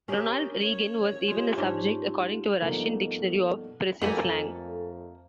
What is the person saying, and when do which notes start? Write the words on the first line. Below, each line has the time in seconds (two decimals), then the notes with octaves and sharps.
Ronald Reagan was even a subject, according to a Russian dictionary of prison slang.
0.08 C#4 G4 G#4 A#4
0.61 C#5
1.28 G#3 F4 G4 C6
1.57 G#2 C#4 D4
2.61 G2 B2 F3 A3 A#3 D#4
4.02 F2 A3 A#3 A4 G#5